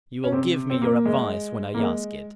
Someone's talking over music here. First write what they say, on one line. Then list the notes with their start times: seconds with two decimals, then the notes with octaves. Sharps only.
You will give me your advice when I ask it.
0.24 C#4
0.32 C3 C4
0.70 C4
0.81 A#3
1.05 G#3
1.74 A#3
1.79 G#3